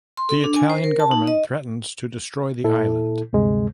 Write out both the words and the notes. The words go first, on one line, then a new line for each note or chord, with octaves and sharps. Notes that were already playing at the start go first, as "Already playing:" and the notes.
The Italian government threatens to destroy the island.
C6
A4
D4
G#5
C5
A#4
A5
D#4
D#5
A#2 E4 A4
D2 G2 C3 G#3